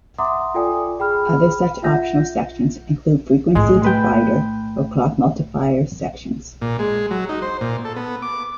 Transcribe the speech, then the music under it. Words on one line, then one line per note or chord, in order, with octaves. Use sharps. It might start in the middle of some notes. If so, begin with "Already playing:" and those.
Other such optional sections include frequency divider or clock multiplier sections.
E5 F#5 A#5 C6 D6 D#6
F4 A4 D5 G5 G#5 D#6
G#4 G5 B5 F6
F4 E5 F#5 G6 A#6
A2 G#3 A3
B4 G5
A#2
G#3
F#3
D#4
C5
A#2
A4
B3
D6